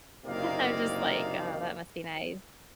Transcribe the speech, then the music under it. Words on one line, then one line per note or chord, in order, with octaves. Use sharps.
I'm just like, "Oh, that must be nice."
F#1 C3 A#3 D#4 D5 F5